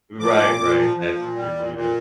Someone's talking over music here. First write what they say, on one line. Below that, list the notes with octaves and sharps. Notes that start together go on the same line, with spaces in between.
Right, right, that's true, yep.
F3 D6
A#2
A#2
F3
F3
A#2
G3
A#2
A#2